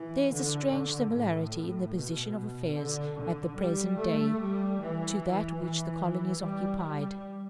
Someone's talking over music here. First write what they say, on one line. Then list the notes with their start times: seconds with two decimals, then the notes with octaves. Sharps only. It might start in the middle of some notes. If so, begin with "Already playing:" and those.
There is a strange similarity in the position of affairs at the present day to that which the colonies occupied.
Already playing: E3
0.30 D3
0.71 D3
1.12 A2
1.94 B2
2.75 D3
3.16 D3
3.57 G3
3.98 A3
4.38 G3
4.79 E3
5.60 E3
6.42 G3
6.83 G3